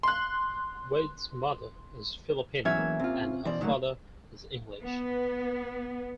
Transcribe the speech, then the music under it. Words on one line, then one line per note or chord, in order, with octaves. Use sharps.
Wade's mother is Filipino and her father is English.
C6 F#6
E2 E3 F#3 C#4 E5 G#6
A#3
C3 F4
B2 E3 C5 D5
D3 D#3 F#3 A3 A#3
B3